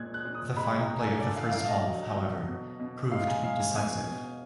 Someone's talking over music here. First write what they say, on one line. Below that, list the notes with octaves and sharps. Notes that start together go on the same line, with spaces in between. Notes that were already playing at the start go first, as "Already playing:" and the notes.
The final play of the first half, however, proved to be decisive.
Already playing: A#2 G#3 F#6 G#6
F#6
A#2
D#6
G#3 B5
A#5
G#3
G#5
D3 D5
F5
D3 F5
D#5
F#3
F#3
B2
B2
G#3 F5
G#5
G#3 F5
G#5
B2 G#5
B2